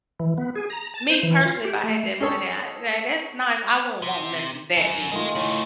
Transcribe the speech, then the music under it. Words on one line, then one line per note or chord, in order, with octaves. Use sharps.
me, personally, if I had that money, I yeah that's nice. I wouldn't want nothing that big.
E3
B3
G#4
A#5
A5
C5
E3
F4
G4
A3
C#4 G#4 A4 C#5
C3
F#2
D#3 A3 F4 G#4 D#5
A2 C#3 A3